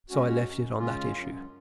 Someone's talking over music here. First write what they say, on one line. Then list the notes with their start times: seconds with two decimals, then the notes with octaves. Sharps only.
So I left it on that issue.
0.09 G#3 C#4 F#4
0.43 F#2
0.77 C#3 G#3 C#4 F4
1.12 F#2